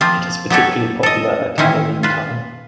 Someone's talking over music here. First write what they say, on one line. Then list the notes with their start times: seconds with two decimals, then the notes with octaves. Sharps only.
It is particularly popular at Halloween time.
0.01 F3 A#3 C4 F4
0.50 F#3 B3 G4 A4 C#5
1.03 A4 D#5
1.58 D#3 E3 C4 C#4 E4
2.03 F4 B4